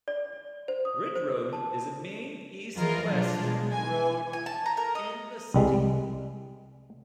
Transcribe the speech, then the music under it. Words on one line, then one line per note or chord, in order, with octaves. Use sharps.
Ridge Road is a main east-west road in the city.
D5
C5
D#6
C5
A5
E3 F3 F4 G#4 A#4 D#5
B2 F3 F#3 D4 F4
B2 G#3
G#5
G#5
A5
A#5
A#4
D#5
C2 G3 G#3